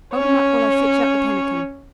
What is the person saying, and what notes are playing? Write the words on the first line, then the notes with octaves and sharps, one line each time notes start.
'Hold him up while I fetch out the pannikin.
C#4 C#5